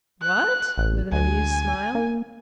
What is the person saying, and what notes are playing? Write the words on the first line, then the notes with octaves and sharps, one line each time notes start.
"What?" with an amused smile.
F#6
A1
D2 G#5
A#3